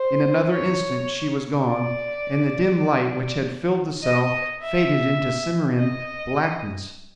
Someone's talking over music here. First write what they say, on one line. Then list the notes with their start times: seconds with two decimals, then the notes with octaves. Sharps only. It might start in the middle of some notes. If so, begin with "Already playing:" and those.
In another instant she was gone, and the dim light which had filled the cell faded into Cimmerian blackness.
Already playing: C5
0.51 C#5
1.68 D5
4.03 D#5
4.62 E5
5.78 D#5